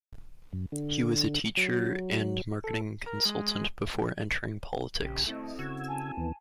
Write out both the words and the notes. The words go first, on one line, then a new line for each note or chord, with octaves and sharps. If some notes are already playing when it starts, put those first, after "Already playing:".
He was a teacher and marketing consultant before entering politics.
F#2
D3
F#3
A4
A#4
G#3
A#1 C#3 G4
A3 C4 E4 A4 D#5
C#3 F#4 E6 G#6
G#5 A5
D#2 E3 B3